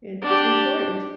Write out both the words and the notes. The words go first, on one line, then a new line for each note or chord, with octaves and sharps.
It's important
D4 G4